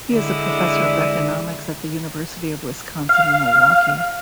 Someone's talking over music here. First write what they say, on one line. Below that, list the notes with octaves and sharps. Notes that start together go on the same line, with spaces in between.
He is a professor of economics at the University of Wisconsin-Milwaukee.
D3 G#3 E4
F5